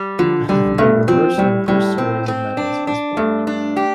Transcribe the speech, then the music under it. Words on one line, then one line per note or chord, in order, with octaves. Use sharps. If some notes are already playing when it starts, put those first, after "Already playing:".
The reverse on the first series of medals is blank.
Already playing: G3
D3 F3
D3 G3
G2 A3
F3 C4
A2 G3
A2 G3
C4
C4
D4
D4
G2 A3
D4
G4